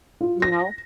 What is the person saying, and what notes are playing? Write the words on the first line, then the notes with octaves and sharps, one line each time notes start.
you know?
F4
A#6